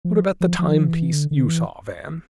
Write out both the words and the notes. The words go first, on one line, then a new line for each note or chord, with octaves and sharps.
"What about the time-piece you saw, Van?"
F3
F3
F3
E3
D3
D3
E3